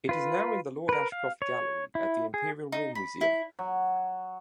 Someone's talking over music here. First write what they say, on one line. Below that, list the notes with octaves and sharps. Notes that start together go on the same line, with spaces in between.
It is now in the Lord Ashcroft Gallery at the Imperial War Museum.
F4 B4
A#4 B4
F5
C#5
E4
G#4
D#4
B5
E4
F#3